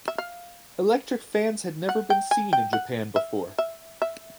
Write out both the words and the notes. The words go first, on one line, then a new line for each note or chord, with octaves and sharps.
Electric fans had never been seen in Japan before.
E5
F5
F#5
G5
G#5
G5
F#5
E5
E5
E5